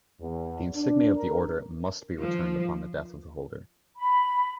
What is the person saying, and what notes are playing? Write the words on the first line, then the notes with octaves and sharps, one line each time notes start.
The insignia of the Order must be returned upon the death of the holder.
E2
D4
A#4
F3
B5